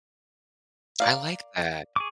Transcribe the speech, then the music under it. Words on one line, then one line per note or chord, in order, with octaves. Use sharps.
I like that.
A#4 D5 F5
G#4 C#6 D6